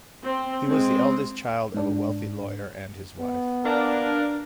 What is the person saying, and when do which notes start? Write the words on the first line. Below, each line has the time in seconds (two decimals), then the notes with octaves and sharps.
He was the eldest child of a wealthy lawyer and his wife.
0.23 C4
0.68 G#3 C4
1.74 G#2 D4
3.20 B3
3.65 D4 A#4 F5